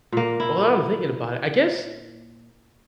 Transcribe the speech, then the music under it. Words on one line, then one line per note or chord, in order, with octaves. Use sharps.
well now that I'm thinking about it, I guess,
A#2 A#3
E4